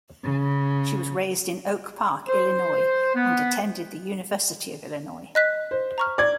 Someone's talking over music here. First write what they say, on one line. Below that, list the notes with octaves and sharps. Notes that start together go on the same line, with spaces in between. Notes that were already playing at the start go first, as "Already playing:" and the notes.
She was raised in Oak Park, Illinois, and attended the University of Illinois.
C#3
C5
B3
D#5 F#6 B6
C5
A#5 C#6 F6
D5 G#6